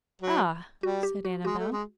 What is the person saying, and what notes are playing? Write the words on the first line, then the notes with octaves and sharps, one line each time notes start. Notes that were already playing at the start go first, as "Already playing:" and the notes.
"Ah!..." said Annabel.
F#3
G3 F#4
G4
F#4
G#3 F#4
A3
G#3